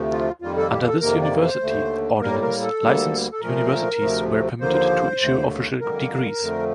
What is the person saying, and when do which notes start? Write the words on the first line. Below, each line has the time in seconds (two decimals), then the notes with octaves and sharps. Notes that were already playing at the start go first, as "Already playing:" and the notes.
Under this University Ordinance, licensed universities were permitted to issue official degrees.
Already playing: D2 C3 F3 A3
0.11 F4
0.42 F2 D#3 G3 A#3 F4
0.57 A4
0.72 G4
0.87 A4
1.01 F2 C3 D#3 A#3 A#4
1.22 D5
1.42 C5
1.62 D#2 D3 A3
2.21 A2 G3 A#3 A#4
2.42 A#4
2.61 A4
2.81 D2 D3 G3 A#3
3.32 A4
3.40 A#2 F3 A3 A#4
4.00 D2 C3 F3 A3
4.60 D#2 D3 F3 A#3 C5
5.20 D#2 D3 A3
5.80 F2 D3 G3 A#3 A#4
6.40 F2 D3 F3 A3